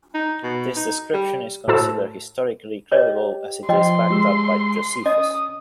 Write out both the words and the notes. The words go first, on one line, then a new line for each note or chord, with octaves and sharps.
This description is considered historically credible as it is backed up by Josephus.
D#4
B2
D#4
G3
A2 F#4 A4 C5 A5 E6
G4 B4 C#5 D#5
F3 D#5 G5 C6
G#3 G4 E6
C#4 D#5 D#6